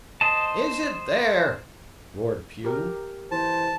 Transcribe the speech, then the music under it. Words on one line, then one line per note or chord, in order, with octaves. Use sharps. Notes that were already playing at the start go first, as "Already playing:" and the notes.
"Is it there?" roared Pew.
C5 D#5 A5
G4 A#4
E3 C5 A5